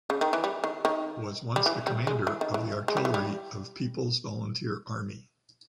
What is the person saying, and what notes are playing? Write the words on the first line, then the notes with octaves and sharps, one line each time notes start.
Was once the commander of the artillery of People's Volunteer Army.
C#3
D#3
E3
G3
D#3
D#3
G3
E3
G3
G#3
E3
D#3
E3
G#3
G3
E3
G3